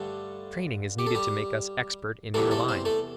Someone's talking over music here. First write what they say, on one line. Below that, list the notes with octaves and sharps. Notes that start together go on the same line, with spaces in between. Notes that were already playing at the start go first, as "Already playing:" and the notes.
Training is needed to make us expert in either line.
Already playing: G2 D3 G3 A3 A4
G4
A4
G3 G4
E2 C3 E3 G3 A3 A4
A3 A4
C4 C5
A3 A4